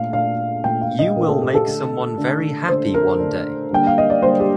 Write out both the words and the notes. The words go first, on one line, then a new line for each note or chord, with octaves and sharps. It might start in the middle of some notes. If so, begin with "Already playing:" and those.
You will make someone very happy one day.
Already playing: A#2 A3 D4 F5
A#2 A3 D4 F5
A#2 A3 D4 G5
F5
D#5
A#2 A3 D4 A#4
A4
G4
A4
D3 A3 D4
D3 A3 D4
D3 A3 D4 C5
A#4
D3 A3 D4
D3 G3 A#3 D4 G5
F5
D#5
D5
D3 G3 A#3 D4 C5
G4